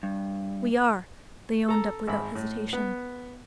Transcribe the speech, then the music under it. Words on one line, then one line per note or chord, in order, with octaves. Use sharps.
"We are," they owned up without hesitation.
G2
A4 A#5
G#1 E5 B5
A2
B3